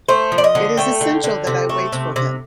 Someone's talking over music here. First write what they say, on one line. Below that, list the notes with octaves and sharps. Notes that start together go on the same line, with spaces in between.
It is essential that I wait for him.
A3 C5
F3
D5
D#5
D3
A3 G5
D3
D3
C3
A3
C3
C3